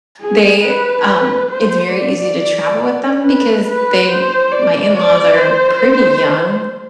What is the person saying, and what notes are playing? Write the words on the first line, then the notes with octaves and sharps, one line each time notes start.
they um, it's very easy to travel with them because they my in-laws are pretty young.
G#4
B4
C5
D5
B4
B4
C5
D5
D5
C5